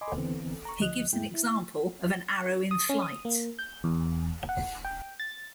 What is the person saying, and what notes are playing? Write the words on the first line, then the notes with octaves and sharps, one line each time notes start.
He gives an example of an arrow in flight.
D#5 G#5 B5 C6 D6
E2 D3 E3 B3 C4
A#5 C#6
D2 F3 D#5 F#6
E2 G#2 G#3 E4 G5
E4
D#6
C#4
D#6
A#3
G6
E2
F#5
G5
A6